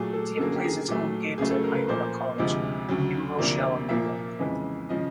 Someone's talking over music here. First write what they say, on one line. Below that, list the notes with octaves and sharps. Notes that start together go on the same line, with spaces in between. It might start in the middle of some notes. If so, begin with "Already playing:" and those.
The team plays its home games at Iona College in New Rochelle, New York.
Already playing: A#2 F#3 A3 G#4
A4
F#2 D3 F#3 A#3 A4
G#4
G4
G#4
A#2 F#3 A3
C#2 C#3 F#3 A3 G#4
A4
A#4
B4
A#2 F3 A#3 C5
D2 C3 F3 G#3
D2 C#3 F#3
D2 C3 F3 A#3 D5
A#2 F3 A#3 E5
F2 C#3 E3 G#3
C#3 F3 D#5